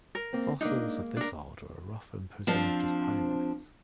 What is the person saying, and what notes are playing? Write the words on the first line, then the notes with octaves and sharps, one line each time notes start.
Fossils of this order are often preserved as pyrite.
A#4
A#3 C4
G#3 A#3 D4 D#4
D4 A#4
F3 C4 D4